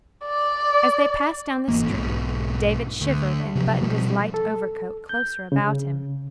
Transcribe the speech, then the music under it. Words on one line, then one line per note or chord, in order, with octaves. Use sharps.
As they passed down the street, David shivered and buttoned his light overcoat closer about him.
D5
G1 G#2 E3 A#3
B1 G#2 B2
D2
C3 F3 F#3
B2 F3 G3 C4
A4
G6
C#3